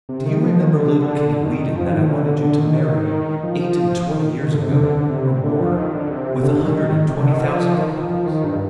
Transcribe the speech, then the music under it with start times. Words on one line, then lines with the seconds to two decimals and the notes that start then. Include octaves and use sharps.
Do you remember little Kitty Weadon that I wanted you to marry eight-and-twenty years ago, or more, with a hundred and twenty thousand pounds?
0.09 C3
0.26 D#3
0.43 F3
0.59 D#3
0.76 D3
1.43 D#3
1.76 F3
1.87 F3
1.93 D#3
2.09 D3
2.26 D3
2.43 D3
2.59 D#3
3.43 F3
3.59 F3
4.10 D#3
4.43 D#3
4.52 D3
4.62 C3
4.72 D3
5.10 C3
5.43 D3
5.60 F3
5.77 D#3
5.93 D3
6.10 C3
6.37 C3
6.43 D3
6.60 D#3
7.09 C3
7.21 D3
7.32 D#3
7.43 F3
7.77 D#3
7.88 D#3
7.99 F3
8.10 F3
8.26 D#3
8.44 G2